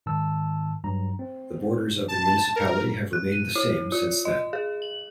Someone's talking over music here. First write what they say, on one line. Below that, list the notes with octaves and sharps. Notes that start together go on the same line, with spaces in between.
The borders of the municipality have remained the same since then.
G#2 D#3 A5 E6
G2 F#3 A#5
C4
A5
A#4
F#6
D#7
E4
F4
D#5
G#4
F#7